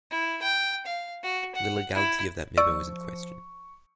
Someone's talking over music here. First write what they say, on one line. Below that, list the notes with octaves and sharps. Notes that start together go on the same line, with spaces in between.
The legality of that memo is in question.
E4
G5
F5
F#4
F#5
E4
F3 D5 C#6 E6